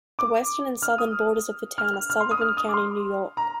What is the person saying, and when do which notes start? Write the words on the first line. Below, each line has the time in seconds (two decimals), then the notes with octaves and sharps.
The western and southern borders of the town are Sullivan County, New York.
0.19 D6
0.82 F6
0.98 D#6
1.78 F6
1.94 F6
2.10 F6
2.20 C6
2.31 D#6
2.41 F6
2.57 D#6
2.69 D6
2.74 C6
3.37 A#5